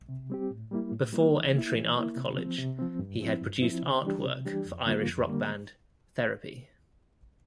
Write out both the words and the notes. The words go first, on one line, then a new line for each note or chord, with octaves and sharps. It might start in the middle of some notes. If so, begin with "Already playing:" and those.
Before entering art college, he had produced art work for Irish rock band Therapy?
C3
G3 C4 G4
A2
G3 A#3 E4
A2
G3 A#3 E4
E3
A#3 E4
E3
A#3 E4
C3
F3 C4
C3
F3 C4
G2
F3 C4 E4
G2
F3 C4 E4
C3
E3 G3 D4 G4
C3
E3 G3 D4 G4
F2
D3 G3 A#3 F4
F2
D3 G3 A#3